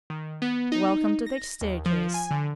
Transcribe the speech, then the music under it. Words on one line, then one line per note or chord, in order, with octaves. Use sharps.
Welcome to the staircase.
D#3
B3
D#4
A#6
D#2
F3
G#5
D3